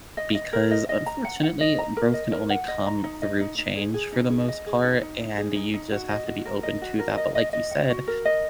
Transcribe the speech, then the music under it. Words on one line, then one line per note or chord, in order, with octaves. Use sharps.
because, unfortunately, growth can only come through change, for the most part, and th you just have to be open to that, but like you said,
D#5
D#5
A#4
D#5
D#5
A#5
F#5
F#5
D#5
A#5
A#4
D#5
A#4
F#5
D#5
A#5
D#4
D#5
D#4
D#4
G#4
G#4
D#4
G#4
D#5
G#4
D#4
D#4
D#4
G#4
D#4
D#4
F#4
D#5
F#4
A#4
D#5
F#4
A#4
D#5
D#5
D#5
F#5
F#4
A#4
D#5